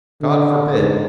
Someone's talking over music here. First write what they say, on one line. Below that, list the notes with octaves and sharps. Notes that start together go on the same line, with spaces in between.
God forbid.
D3
G#2